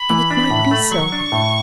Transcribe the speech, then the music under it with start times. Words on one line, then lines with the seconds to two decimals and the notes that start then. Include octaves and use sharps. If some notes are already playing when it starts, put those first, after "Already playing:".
And it might be so.
Already playing: B5
0.10 E3
0.31 D4
0.50 A2
0.71 A3
0.91 F#3 C#6
1.12 D4
1.32 A2